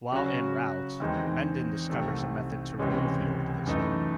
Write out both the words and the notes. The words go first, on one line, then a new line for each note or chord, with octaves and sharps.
While en route, Mendon discovers a method to remove the organism.
C#3 F#3 C#4 F#4
E2 D#3 G#3 C4 D#4
C2 C3 D#3 A3 C4
C#2 C3 E3 G#3 C#4
F#2 E3 A3 D#4